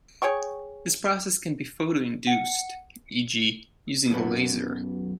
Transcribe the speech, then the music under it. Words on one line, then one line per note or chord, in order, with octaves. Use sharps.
This process can be photoinduced, e.g., using a laser.
G#4 C#5 G5 C#6
F#5 C#7
B1 F#2 B2 B3